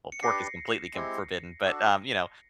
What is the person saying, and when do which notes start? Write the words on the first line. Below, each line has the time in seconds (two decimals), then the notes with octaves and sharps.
well, pork is completely c forbidden, but, um, you know,
0.12 C#7
0.22 D4 G4 B4 D5 A#6 C7
0.94 G#3 C4 E4 G4
1.64 D4 F#4 A4